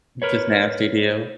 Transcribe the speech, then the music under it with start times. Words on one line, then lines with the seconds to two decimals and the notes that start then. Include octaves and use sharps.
Just nasty to
0.22 A#4 B4 C#5